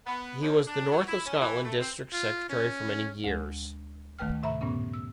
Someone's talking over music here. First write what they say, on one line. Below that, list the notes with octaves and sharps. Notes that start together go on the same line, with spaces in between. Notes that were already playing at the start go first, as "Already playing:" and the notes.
He was the North of Scotland district secretary for many years.
B3
D#2
D4
F#3
E4
C#4
E3
A3
C4
F4
C#4
D2 G#3
D2 D#3 A3 B4 G5 F6
A2 C3 E5 A#5 B5
G2 A#2 C#3 B3 C#4
E6